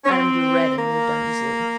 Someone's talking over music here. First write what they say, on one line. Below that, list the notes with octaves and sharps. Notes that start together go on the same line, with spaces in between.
Adam grew red and moved uneasily.
C#4
C4
A#3